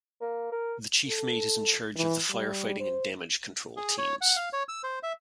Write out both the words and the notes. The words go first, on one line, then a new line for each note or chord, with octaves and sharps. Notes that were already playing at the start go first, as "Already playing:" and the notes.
The Chief Mate is in charge of the firefighting and damage control teams.
A#3
A#4
A4
E3
G3
C5
G#4
C#5
F#5
F5
C#5
E6
C5
E5